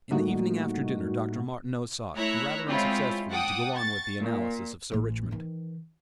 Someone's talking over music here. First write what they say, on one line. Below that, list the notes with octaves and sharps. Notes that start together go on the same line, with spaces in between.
In the evening after dinner Dr. Martineau sought, rather unsuccessfully, to go on with the analysis of Sir Richmond.
A2 G3 A3 A#3 D#4 F#4
A3 E4 C#5 E5 A#5 F#6
G#3 C4 C#4 E4 F4
F#5 G5 A5 D6 D#6
C#6 A6
A#2
A1 A2
D#3 E3